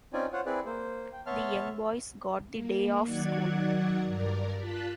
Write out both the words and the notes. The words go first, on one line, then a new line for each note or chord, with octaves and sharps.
The young boys got the day off school.
C4 C#4 D#4 F4 D5 G#5
F4 C5 C#5 F#5
C4 E4 G#4 B4 D5
A#3 C5
G5
B3 C#5 E5 A5 C6 F6
A#3
D#3 F#3 D5 F#5 G#6
G2 A#4 D5
F4 A5 F#6 B6